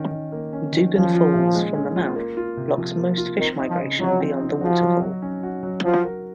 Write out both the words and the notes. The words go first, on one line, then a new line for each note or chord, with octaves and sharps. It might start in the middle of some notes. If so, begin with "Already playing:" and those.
Dougan Falls, from the mouth, blocks most fish migration beyond the waterfall.
Already playing: D#3 C#4
D#3
A#3
C#4
D#3
F3 C#4
F4
A#2
G#3
C#4
F4
A#3
F4
C3
F3
A#3
F4
D#3 C4
D#4
F3
C#3
F3 F#3
C4
D#4
F3 F#4
F#3
F#3
C#4
F#4
F#3
F3 F#4
A#4